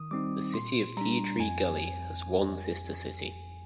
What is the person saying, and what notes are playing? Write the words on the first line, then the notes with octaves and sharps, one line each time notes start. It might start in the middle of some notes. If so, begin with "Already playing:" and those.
The City of Tea Tree Gully, has one sister city.
Already playing: D#3 D#6
G3 C4 D#4 D6
A#2 C6
G3 D4 A#5
F2 G#5